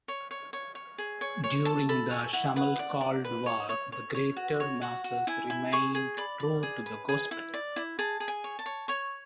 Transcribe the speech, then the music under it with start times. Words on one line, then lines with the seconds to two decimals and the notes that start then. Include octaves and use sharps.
During the Schmalkald War the greater masses remained true to the Gospel.
0.08 C#5
0.31 C#5
0.53 C#5
0.75 C#5
0.98 G#4
1.21 C#5
1.44 C#5
1.65 A4 A5
1.89 A4 B5
2.11 C#5 G#5
2.33 E4 F#5
2.56 B4 F#5
2.79 D5
3.01 D5
3.25 B4
3.46 C#5
3.69 C#5
3.92 C#5
4.14 C#5
4.36 F#4
4.60 C#5
4.82 F#4 F#5
5.04 F#4
5.27 E4 G#5
5.50 E4
5.72 G#4 C#6
5.95 G#4
6.17 D5 B5
6.40 D5
6.63 G#4
6.86 B4
7.09 G#4
7.31 E4
7.54 D5
7.76 E4
7.99 G#4 A5
8.20 G#4
8.28 G#5
8.44 C#5
8.59 A5
8.66 C#5
8.88 C#5 C#6